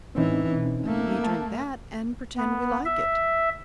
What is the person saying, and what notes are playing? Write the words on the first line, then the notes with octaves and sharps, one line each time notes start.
We drink that, and pretend we like it.
A2 E3 C4 C#4 D#4
B2
A3 A#3
A5
B3
E5